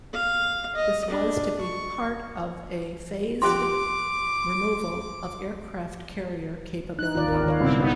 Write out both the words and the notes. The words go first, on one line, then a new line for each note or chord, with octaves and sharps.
This was to be part of a phased removal of aircraft carrier capability.
F5
D#5
D4
C#6
F3 G4 C6 D6 F#6
D#4 F#6
D#2 F4 D5
G#1 A#4
D#3 C#5 F5
C#2 G2 B2 C4 E4
B3 D#4